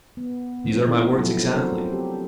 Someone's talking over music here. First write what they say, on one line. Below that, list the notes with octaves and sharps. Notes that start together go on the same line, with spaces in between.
"These are my words exactly."
B3
D3 F3 A3 C4
D3 B3 E4
F3 F#3 A4
C4 D4 F#4 A4 A#4 C5
C4 G4